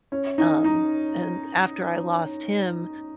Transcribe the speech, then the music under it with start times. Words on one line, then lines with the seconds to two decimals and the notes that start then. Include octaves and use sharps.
Um, and after I lost him,
0.12 C#4
0.38 D#4
0.64 D#4